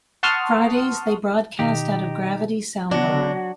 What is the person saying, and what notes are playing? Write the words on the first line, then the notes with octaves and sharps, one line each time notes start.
Fridays they broadcast out of Gravity Soundbar.
F#5 A5 C6 C#6 D#6 F6
B2 D#3 D#4 G4
C#3 F#3 B3 D4 F#4